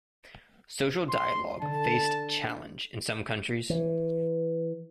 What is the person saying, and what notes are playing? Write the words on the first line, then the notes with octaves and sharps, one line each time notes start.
Social dialogue faced challenge in some countries.
C6
D3 A5
E3